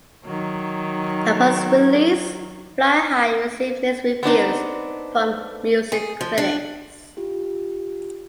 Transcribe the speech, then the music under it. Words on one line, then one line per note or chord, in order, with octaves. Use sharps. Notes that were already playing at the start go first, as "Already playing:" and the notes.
Upon its release, "Fly High" received mixed reviews from music critics.
D#3 F#3
B3 C4 D4 D#4
G#4
F3
D4
F4 G4